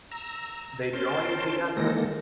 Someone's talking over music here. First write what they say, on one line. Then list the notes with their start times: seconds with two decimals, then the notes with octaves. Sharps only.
They joined together.
0.12 A#5 E6
0.93 C#4 A#4 C5 A5 C6
1.77 D#3 E3 G#3 A#3 A4 A#6